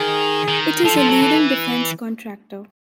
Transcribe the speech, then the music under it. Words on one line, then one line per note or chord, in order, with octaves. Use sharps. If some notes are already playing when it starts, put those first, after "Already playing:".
It is a leading defense contractor.
Already playing: D#3 G#4
D#3
F3 A4
F3
F#3
E3